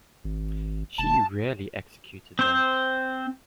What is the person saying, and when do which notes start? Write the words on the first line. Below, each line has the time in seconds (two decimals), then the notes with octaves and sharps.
She really executed them.
0.24 G#1
0.98 E1 A5
2.39 C4 C5